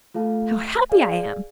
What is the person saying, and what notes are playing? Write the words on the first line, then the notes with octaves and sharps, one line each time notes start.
How happy I am!
A3 F4 A4 F5 A5
G#4 D5 F5 G#5